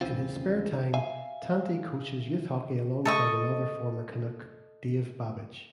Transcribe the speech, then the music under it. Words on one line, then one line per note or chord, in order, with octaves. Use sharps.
In his spare time, Tanti coaches youth hockey alongside another former Canuck Dave Babych.
D#2 C#3 E3 C4 F4
E5 F5 G#5
A4 D#5 C#6